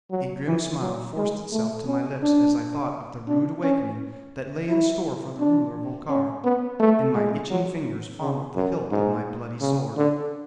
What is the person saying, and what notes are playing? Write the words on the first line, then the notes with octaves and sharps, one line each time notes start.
A grim smile forced itself to my lips as I thought of the rude awakening that lay in store for the ruler of Okar, and my itching fingers fondled the hilt of my bloody sword.
F#3
E3
F#3
G#3
A3
C#4
D4
D4
C#4
E4
D4
C#4
B3
A3
G#3
F#3
C#3
F#2
G#2
C#3
D3